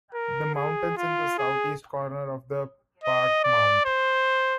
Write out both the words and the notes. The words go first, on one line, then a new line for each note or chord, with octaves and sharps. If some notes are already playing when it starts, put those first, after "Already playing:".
The mountains in the southeast corner of the park-Mt.
A#4
G#4
F4
G#4
D#5
D5
C5